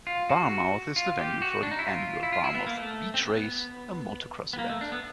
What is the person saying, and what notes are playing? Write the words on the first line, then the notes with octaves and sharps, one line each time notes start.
Barmouth is the venue for the annual Barmouth Beach Race, a motocross event.
F4
F#4
F4
G4
F#4
D4
D#4
E4
F4
E4
F4
E4
B3
A#3
A3
C4
B3
B3
A#3
A3
D4
B3